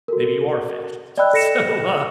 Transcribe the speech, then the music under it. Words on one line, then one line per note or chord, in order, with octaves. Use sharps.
Maybe you are a fascist." So, uh,
F#4 A4 A#4
D5 D#5 G5 B5 E6 F#6
A4 A#6 C#7 E7